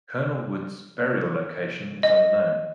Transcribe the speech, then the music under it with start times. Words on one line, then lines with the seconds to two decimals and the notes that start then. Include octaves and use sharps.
Colonel Wood's burial location is unknown.
2.03 D#5